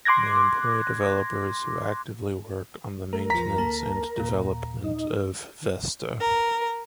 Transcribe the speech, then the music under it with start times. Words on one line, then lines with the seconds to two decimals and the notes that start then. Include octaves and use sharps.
They employ developers who actively work on the maintenance and development of Vesta.
0.05 C6 D6 F#6 G#6 A#6
3.13 A3 A#4
3.30 E2 F3 A#5 B6
3.58 D2 A#3 A5
4.18 D#2 A#2
4.84 D#4
6.20 A#4